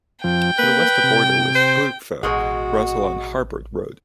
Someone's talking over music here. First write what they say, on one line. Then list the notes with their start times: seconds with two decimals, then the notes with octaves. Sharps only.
To the west the border with Brookvale runs along Harbord Road.
0.24 F2 F3 G5
0.59 A#3 B4
1.03 C3
1.55 C5
2.23 A1 B2 G#3 F#4